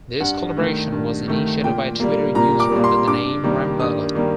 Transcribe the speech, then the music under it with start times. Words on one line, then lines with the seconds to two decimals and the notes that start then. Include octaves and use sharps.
This collaboration was initiated by a Twitter user under the name 'Ramballo'.
0.20 G2 F#5
0.57 D#3 A3
0.92 G2
1.28 D#3 A3
1.64 A#2 G5
2.00 G3 A#3
2.35 A#2 A#5
2.60 D6
2.72 G3 A#3
2.84 C6
3.07 G2 D6
3.44 D#3 G3 A#3
3.80 G2 D#6
4.15 D#3 G3 A#3